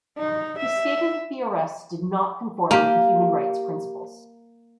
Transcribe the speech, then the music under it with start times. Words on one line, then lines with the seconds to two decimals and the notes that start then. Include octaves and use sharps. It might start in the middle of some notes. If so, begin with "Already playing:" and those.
He stated that the arrests "did not conform with the human rights principles".
0.17 D#4
0.59 E5
2.71 A#3 G4 G#5